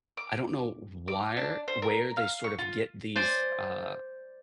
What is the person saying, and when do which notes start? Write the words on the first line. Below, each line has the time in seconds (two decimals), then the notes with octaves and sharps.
I don't know wire where they sort of get these, uh,
0.17 D6
1.08 D6
1.37 D4
1.68 C5
1.82 A#4
2.17 F5
2.44 C#6
2.58 F4
3.16 C5 D5 G#5